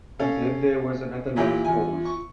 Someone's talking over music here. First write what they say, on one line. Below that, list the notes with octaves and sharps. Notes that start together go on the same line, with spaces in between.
Then there was another long pause.
C#4 A4 F5
A#2 E3 F4 G4
E2 G#5
C#6